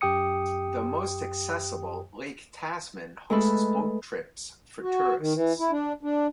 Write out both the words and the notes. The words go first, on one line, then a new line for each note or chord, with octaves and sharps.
The most accessible, Lake Tasman, hosts boat trips for tourists.
F#2 G4 G5 D#6 C#7
G#3 A3 A4 B4
F#4
D#3
E3
E4
D4
D4